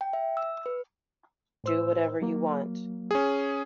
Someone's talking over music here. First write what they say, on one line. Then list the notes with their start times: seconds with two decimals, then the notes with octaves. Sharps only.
Do whatever you want.
0.01 G5
0.13 E5
0.37 E6
0.66 B4
1.64 A2 C5 E6
2.22 F#3 A#3
3.11 C#4 G#4